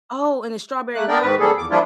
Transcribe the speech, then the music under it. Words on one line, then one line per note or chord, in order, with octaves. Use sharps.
Oh, in a strawberry wrapper.
A3 A#3 F#6
B3 D4 A#4 D5 G5
G#2 D#3 B4
G3 A#3 G#4 A4
E2 D6
F3 G3 A#3 D4 E4 F4